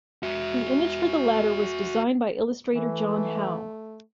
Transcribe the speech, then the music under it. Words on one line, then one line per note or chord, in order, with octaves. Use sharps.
The image for the latter was designed by illustrator John Howe.
F#4 E5
E3 A3